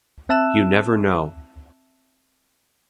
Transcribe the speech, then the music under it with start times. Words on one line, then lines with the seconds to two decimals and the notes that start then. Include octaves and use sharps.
You never know.
0.29 C4 E5 A5 E6 F#6 E7